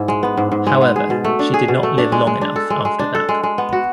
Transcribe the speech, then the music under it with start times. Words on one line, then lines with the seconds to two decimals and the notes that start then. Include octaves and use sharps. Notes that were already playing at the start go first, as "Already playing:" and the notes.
However, she did not live long enough after that.
Already playing: G#2 E4
0.08 G#3
0.23 B3
0.37 G#2
0.52 G#2
0.67 G#3
0.81 B3
0.96 G#4
1.10 B2
1.24 A3
1.39 D4
1.54 G#4
1.68 B2
1.83 A3
1.98 D4
2.12 G#3
2.27 G#3
2.41 D4
2.56 A4
2.70 G#3
2.85 G#3
2.99 D4
3.15 A4
3.29 G#3
3.43 G#3
3.58 B3
3.73 F#4